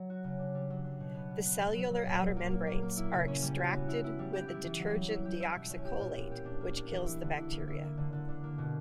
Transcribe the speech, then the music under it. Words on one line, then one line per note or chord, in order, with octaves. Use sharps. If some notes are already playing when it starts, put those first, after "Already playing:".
The cellular outer membranes are extracted with the detergent deoxycholate, which kills the bacteria.
Already playing: F#3
F#4
C#3
D4
G3
F#3
F#3
B2
B3
G3
B3
F#3
F#3
F#3
A#2
F#3
A#3
A#3
A#3
A#3
E4
C#3
C#4
G3
F#4
B3
E4
E4
G3
G4
E4
E3
F#3
F#3
E4
G4
E4
B2
C#4
G4
A#2
B3
G4
D4
A#3
D4
E3
E4
D3
E4
A#3
E4
A#3
D3
D3
D4
A#3
B2